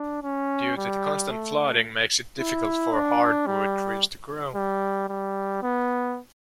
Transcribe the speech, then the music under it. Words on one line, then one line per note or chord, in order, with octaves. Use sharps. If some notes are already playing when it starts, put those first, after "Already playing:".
Due to the constant flooding makes it difficult for hardwood trees to grow.
Already playing: D4
C#4
G3
A3
E4
D4
G3
G3
G3
B3